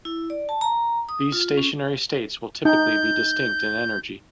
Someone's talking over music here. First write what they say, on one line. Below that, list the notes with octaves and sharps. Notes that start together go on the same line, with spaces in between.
These stationary states will typically be distinct in energy.
E4
D5
A5
A#5
D#6
F4
C#4
D#4 G6